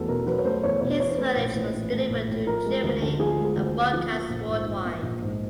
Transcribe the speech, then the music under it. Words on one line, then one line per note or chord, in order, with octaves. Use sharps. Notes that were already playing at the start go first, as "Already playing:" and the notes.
His footage was delivered to Germany and broadcast worldwide.
Already playing: E2 F#3 A3 A4
B2 A#4
F#3 B4
C#5
A3 C5
E2 C#5
B2 C#5
E3 C#5
C5
A3 B4
C5
A#1
A2
E3
A3
A#1
A2
F3 A#4
G#3
D2
D3
F3 G#4
G#3
G#4
D2
D3
F3
A#3
A#1
G#2
F3
A#3
A#1
G#2